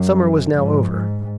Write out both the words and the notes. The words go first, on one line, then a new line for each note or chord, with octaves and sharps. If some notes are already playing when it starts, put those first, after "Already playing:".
Summer was now over.
Already playing: F#2 F#3
G#2 F3
G#2